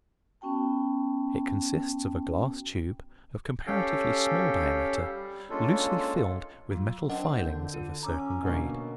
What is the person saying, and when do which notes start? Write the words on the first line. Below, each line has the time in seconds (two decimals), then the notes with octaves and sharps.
It consists of a glass tube, of comparatively small diameter, loosely filled with metal filings of a certain grade.
0.41 B3 C#4 F#4 G5 A5
3.67 C#4 G4 A4 F5 G5
5.01 G3
5.50 G#3 A#3 C#4 D4 F4 A4
6.71 F#3 F4
7.10 C4 D4 A#4 D#5 F#5
7.39 D3 G6
7.74 F4
8.03 C#4 A#5 D6 E6
8.42 B2 D3 A#3